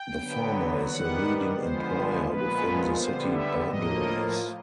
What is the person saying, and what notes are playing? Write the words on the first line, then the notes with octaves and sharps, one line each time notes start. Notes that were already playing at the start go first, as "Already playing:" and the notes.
The former is the leading employer within the city boundaries.
Already playing: G5
D3 F#3 B3
D#3 G3 B3 F#5
D3 F3 G#3 B3 C5
A#2 F3 G#3 B3 B4
D3 G3 B3 C5
E5
A2 F3 A#3 D#5